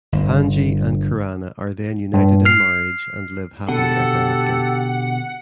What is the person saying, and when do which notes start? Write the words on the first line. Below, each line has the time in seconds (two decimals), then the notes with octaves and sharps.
Panji and Kirana are then united in marriage and live happily ever after.
0.12 G1
2.14 G2
2.45 F6 C7
3.68 B2 D3 G4 A4 F#5